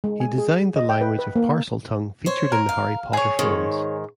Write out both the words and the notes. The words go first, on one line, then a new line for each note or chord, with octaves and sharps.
He designed the language of Parseltongue featured in the Harry Potter films.
G#3
G#5
G#4
D#5
G5
B4
B4
A#3
C5 C#5
A#4
F5
G#4 C#5
G#2 D#3